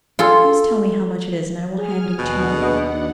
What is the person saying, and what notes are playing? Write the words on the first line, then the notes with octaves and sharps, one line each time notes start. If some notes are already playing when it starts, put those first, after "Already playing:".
Please tell me how much it is and I will hand it to you.
F4 G#4 A4
G#4 G#5 F6
D#2 B2 D4 F#5
F#4 B4 D#5